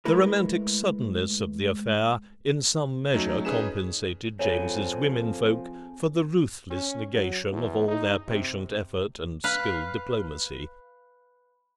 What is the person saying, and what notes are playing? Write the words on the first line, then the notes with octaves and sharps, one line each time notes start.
The romantic suddenness of the affair in some measure compensated James's women-folk for the ruthless negation of all their patient effort and skilled diplomacy.
G#3 A3 E4 A#4 B4
F#3 A3 C#4 D#4
C#4 D#4 G#4 B4 E7
F3 C4 G#4 A4 C#5 E5
C#4
F#3
E2
D#4
C3
B4 F5